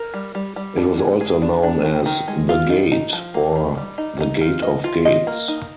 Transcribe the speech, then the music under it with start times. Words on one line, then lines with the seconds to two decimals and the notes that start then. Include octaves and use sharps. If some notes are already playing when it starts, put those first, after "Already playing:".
It was also known as "the Gate" or "the Gate of Gates".
Already playing: A#4
0.14 G3
0.35 G3
0.56 G3
0.77 D4
0.99 G#4
1.21 G#4
1.42 D4
1.63 D4
1.85 D#3
2.06 D#3
2.28 G#3
2.49 F4
2.70 D#4
2.92 D#4
3.13 F3
3.34 A#3
3.56 D#4
3.77 G3
3.98 D#4
4.20 D#4
4.41 F4
4.62 D#5
4.84 F4
5.05 D#5
5.27 A#3
5.48 D#4